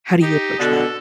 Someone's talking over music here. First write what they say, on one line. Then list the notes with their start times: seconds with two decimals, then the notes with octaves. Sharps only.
how do you approach that?
0.21 D#4 G4
0.59 B2 D3 F#4 A4